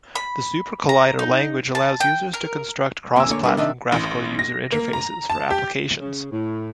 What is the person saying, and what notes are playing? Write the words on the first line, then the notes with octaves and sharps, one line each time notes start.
The SuperCollider language allows users to construct cross-platform graphical user interfaces for applications.
B5
A#5
D#4
A5
G5
A#4
C3 A#3 C#4 G#5 E6
D3 A#3 C#5
G3 B3 D4 A#4 E5
C3 D#3 D4 D#5 E5
A1
A#6
A#3
A#5
A5
G4
C#3
A2